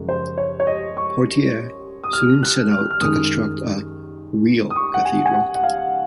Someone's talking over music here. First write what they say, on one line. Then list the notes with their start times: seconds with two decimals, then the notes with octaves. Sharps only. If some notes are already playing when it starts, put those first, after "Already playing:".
Portier soon set out to construct a "real" cathedral.
Already playing: F#2 C#3 F3 G#3
0.09 C5
0.38 C#5
0.60 C#5
0.67 D#5
0.97 C#6
2.04 D#6
2.13 F6
2.43 F#6
2.71 F6
2.90 F6
3.01 F#2 D#3 G#3 D#6
4.70 D#6
4.76 C#6
4.94 F#5
5.05 G#5
5.25 G#5
5.34 F#5
5.55 F#5
5.63 F5